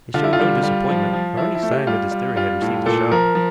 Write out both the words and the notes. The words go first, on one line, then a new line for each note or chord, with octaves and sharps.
He showed no disappointment, nor any sign that his theory had received a shock.
D3 F4
E4
F4
G3
G3
F3
F3
F3 E4
E4
A3
G4
G3 F4
G3
G3 F4
A2
A#2 A4
F3 A#4
F3